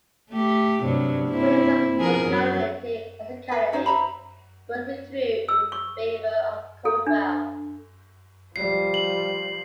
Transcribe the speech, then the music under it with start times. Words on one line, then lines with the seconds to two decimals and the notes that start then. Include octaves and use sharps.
Williams was nominated as a candidate, but withdrew in favour of Coldwell.
0.30 A3 G4
0.83 G2 C3 F#3
1.28 A#3 C4 E4
1.97 F3 G#4 A#4
2.26 F#2 F#3
3.49 B4 G#5
3.72 C#4 D#4 C5 F5
3.86 C5 E5 A#5 B5
5.49 E6
5.72 C#6
6.85 A4
7.07 D4
8.56 F3 G3 C7
8.94 F#7